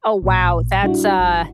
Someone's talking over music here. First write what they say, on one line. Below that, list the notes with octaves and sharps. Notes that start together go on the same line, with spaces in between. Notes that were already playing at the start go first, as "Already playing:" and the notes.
Oh, wow, that's a
A1 A#2
G3 D4 E4 F#4
G#1